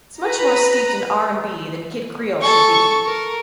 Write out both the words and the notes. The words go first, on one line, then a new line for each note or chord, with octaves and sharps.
It's much more steeped in R and B than Kid Creole should be.
B4 A#5
A4 C#6
A#4